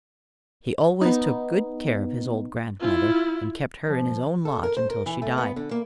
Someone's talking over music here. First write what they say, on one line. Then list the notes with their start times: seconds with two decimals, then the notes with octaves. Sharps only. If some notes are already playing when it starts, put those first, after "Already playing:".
He always took good care of his old grandmother, and kept her in his own lodge until she died.
1.01 B3 D#4
2.81 E4 F4
3.89 F3
4.45 A4
4.63 A#4
4.77 C5
4.90 A#4
5.06 E3
5.22 A3
5.38 B3
5.56 D3
5.71 A#3